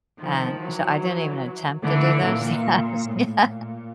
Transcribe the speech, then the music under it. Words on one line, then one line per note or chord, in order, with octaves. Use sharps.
And so I didn't even attempt to do this. Yes. Yeah
D#3 F3
E3 F#3
D3 E3
A#2
A2
A#2